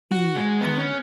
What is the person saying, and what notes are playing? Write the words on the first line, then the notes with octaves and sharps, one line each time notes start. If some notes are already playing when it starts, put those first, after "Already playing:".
the um
F#4
G#3
B3
C#4